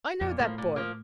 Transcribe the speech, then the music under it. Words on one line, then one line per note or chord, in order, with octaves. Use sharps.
I know that boy.
F2 A#2
A2 F3 A#3
A#2
F3 A#3